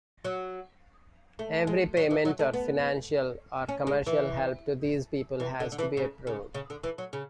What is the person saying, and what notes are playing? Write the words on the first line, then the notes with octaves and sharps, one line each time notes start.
Every payment or financial or commercial help to these people has to be approved.
F#3
A3
G#3
F#3
E3
F#3
A3
B3
C#4
G#3
E3
E3
D3
D3
E3
C#3
C#3
C#3
D3
E3
F#3
C#3